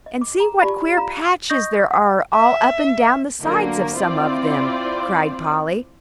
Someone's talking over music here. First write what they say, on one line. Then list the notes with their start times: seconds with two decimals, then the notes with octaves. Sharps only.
"And see what queer patches there are all up and down the sides of some of them," cried Polly.
0.06 D#5
0.21 D6
0.40 A#5
0.62 F4 G4 D5 A5 B5
0.97 F4 F5 A#5
1.50 D#5 C#6 D#6 G6 A#6
1.91 F#5
2.34 E5
3.43 D3 F#3 A#3
3.95 C4 E4 F4 C5 D5